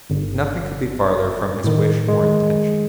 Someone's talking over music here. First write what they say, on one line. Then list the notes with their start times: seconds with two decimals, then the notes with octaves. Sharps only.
Nothing could be farther from his wish or intention.
0.10 G1
1.64 A2 D#3
2.08 D#3 G#3